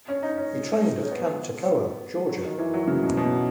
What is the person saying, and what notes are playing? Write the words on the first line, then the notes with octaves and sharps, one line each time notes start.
He trained at Camp Toccoa, Georgia.
C#4
D#4
C#4
C#4
B3
F#3
D#3
E3
F#3
C#3
B2
B2